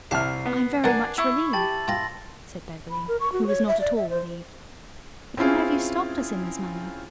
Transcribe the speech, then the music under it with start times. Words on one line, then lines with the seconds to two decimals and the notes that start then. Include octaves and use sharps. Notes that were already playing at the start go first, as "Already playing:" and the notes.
"I am very much relieved," said Beverly, who was not at all relieved. "But why have you stopped us in this manner?"
0.11 C2 G4 E5 A5 F6 C7
0.46 B3
0.84 E2 D4 A#4 F#5 G#5
1.18 E4 C#6
1.53 G4 A5 A6 F#7
1.88 F4 G5 C6 A#6
2.90 B5
3.08 A#4
3.20 C#6
3.32 F#4
3.47 C#5
3.67 E5
3.81 D5
3.96 E5
4.09 C5
5.37 C4 C#4 E4 F4 G#4